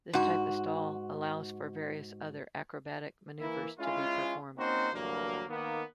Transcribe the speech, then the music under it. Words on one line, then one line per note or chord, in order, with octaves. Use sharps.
This type of stall allows for various other acrobatic maneuvers to be performed.
G#2 F#4
E3 A#3 E4
G#3 C#4 E4 F4
A#3 C4 C#4 D#4 F#4 C5
D2 G2 E3 F#3 A#3
D#3 A#3 B3